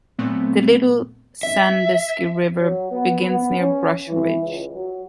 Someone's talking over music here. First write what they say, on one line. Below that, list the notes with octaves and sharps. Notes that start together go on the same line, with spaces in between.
The Little Sandusky River begins near Brush Ridge.
A#2 F#3 A3 B3 C4
E5
F#3
B3
B3
C#4
E3
C#2
F#3